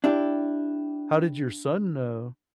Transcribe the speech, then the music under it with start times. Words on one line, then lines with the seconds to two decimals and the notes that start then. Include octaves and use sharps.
How did your son, uh,
0.04 D4 E4 G4